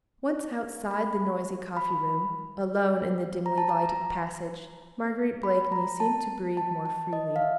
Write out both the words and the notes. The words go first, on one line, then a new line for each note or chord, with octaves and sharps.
Once outside the noisy coffee-room, alone in the dimly-lighted passage, Marguerite Blakeney seemed to breathe more freely.
B5
B5
A#5
A5
A#5
B5
A#5
A5
A5
A5
D#5
F5
E5